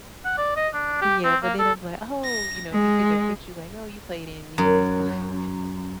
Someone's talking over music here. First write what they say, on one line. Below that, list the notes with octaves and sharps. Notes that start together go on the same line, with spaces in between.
Yeah, but then I'm, like, "Oh," you know, if you see their picture, like, "Oh, you played in, you know, this movie.
F#5
D5
D#5
D4
G4
C4
A#3
A4
A#6
G#3
F#2